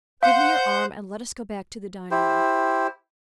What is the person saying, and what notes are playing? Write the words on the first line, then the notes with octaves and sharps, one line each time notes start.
Give me your arm and let us go back to the dining-room.
C5 F5 F#5 G6
E4 G4 C5